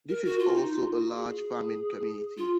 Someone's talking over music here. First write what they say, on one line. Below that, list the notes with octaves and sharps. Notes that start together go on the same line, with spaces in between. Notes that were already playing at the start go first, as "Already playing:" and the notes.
This is also a large farming community.
A#4
F#4
F4
D#4
F4
F#4
G#4
F4